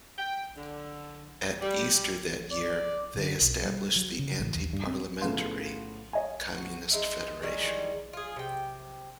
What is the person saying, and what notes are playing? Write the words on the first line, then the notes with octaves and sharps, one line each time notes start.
At Easter that year they established the Anti-Parliamentary Communist Federation.
G5
D3
G3
D5
D3
B1
G3
F#3
C#3
A1
D#2
G2
C4
A2 C#3 F3 B3 F5 C6
C#5 D#5 F5 G#5
F#4
G#3 D#4 E5
D#3 E3 G3 G#3
F4 G#4
C3 G5